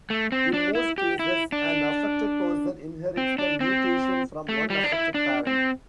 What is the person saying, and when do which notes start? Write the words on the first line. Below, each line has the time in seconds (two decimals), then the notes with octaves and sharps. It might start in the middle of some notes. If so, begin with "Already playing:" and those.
In most cases, an affected person inherits the mutation from one affected parent.
0.10 A3
0.32 C4
0.54 D4
0.75 E4
0.98 G4
1.19 E4
1.52 D4
3.17 C4
3.38 D4
3.60 C4
4.49 A3
4.70 G3
4.84 D4
4.92 E4
5.14 D4
5.47 C4